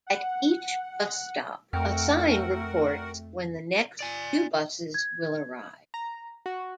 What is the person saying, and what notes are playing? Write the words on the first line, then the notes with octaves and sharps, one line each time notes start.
At each bus stop, a sign reports when the next two buses will arrive.
F#5
F2 A3 F#4 A#4 F#5 G5 F6
D5 G#5
G#6
A#5
F#4